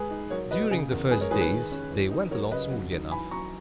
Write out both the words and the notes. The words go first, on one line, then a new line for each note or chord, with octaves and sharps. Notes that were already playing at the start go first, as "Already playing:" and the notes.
During the first days, they went along smoothly enough.
Already playing: G#3 G#4 B4
D#4
F#3 A#4 C#5
B2 B4 D#5
C#3 G#4
E2 A#4
G#3 G#4 B4
A#4 C#5
D#3 G#4 B4
G#4 B4
D#3
C#4
E3
D#4
F#3 A#4 C#5
C#3 B4 D#5
F#3
D#4
E3 G#5 B5
F#2 A#5 C#6